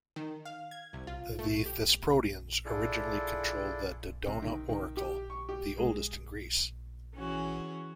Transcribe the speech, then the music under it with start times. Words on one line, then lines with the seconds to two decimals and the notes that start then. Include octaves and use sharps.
The Thesprotians originally controlled the Dodona oracle, the oldest in Greece.
0.16 D#3
0.45 F5
0.71 G#6
0.93 C2
1.07 F4
1.39 A3
1.66 G4
2.65 D4 E4 F4 G#4 A4 D5
4.26 C3
4.42 D#3
4.69 D#3
4.97 G4
5.30 C#6
5.49 G4
5.78 G#3
7.15 E3 C#4 F#4 G#4